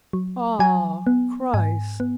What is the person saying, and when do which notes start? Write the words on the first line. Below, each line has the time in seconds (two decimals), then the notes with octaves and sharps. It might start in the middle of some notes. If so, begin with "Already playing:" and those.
Ah, Christ!
0.13 F#3
0.59 F#3 G#5
1.07 B3
1.54 G#2 G#5
2.00 B3